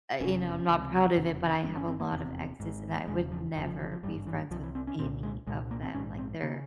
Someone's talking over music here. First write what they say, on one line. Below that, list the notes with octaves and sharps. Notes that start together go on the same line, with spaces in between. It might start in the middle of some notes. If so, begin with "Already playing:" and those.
I you know, I'm not proud of it, but I have a lot of exes, and I would never be friends with any of them, like, they're
F1 E2 C3 C#4
C#2 C3
F1 E2 C#3
G1 G2 C4
C#4
C4
A#3
F1 E2 C3
G#1 G#2
E1 E2 C#3 G#3
F3
F1 F2 C#3 E3
F3
E3
F3
G#1 G2 G3
E3
C2 C3 F3
E3
C4
C#4
C2 A#2 C4
G#3
C2 A#2 G#3
A#3
C4
A#1 G#2 C#4
C4
C#3 A#3